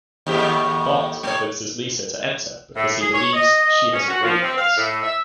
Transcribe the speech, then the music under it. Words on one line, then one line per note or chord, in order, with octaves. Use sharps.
Bart convinces Lisa to enter because he believes she has a great voice.
D#2 A2 G4
A3 C#5
A2
G#4
C#5
D#5
C#4
F#4
F3
C4
F5
A2
E5